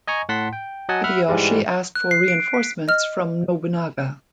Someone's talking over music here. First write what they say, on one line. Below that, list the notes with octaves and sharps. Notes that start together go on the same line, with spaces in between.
Hideyoshi asked for reinforcements from Nobunaga.
D#5 G#5 A#5 C#6
A2 F#5 A5 C6 B6
G5
F#3 D#5 F#5 G#5 A5
E5 F#5 B5 F6
G#2 E3 G3 G#3
F#6
C7
D7
B6
D#5 F6